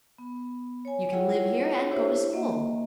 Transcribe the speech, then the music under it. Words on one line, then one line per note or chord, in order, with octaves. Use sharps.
You can live here, and go to school.
B3
C#5 G#5
E4 F4 G#4 C#5 F#5 G5
D4 E4 G4 C5 C#5 E5
A#3 D#5 E5